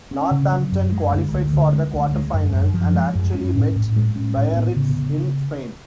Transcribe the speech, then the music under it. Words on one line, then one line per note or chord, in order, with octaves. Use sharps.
Northampton qualified for the quarter-finals and actually met Biarritz in Spain.
C#4
C#3
F#3
F#2
G#3
D2
D2
D3
G#3
D2
G#3
F#2
F#2
F3
G#3
F#2
C#4
A2
A2
G#3
C#4
A2
B3
C#3
C#3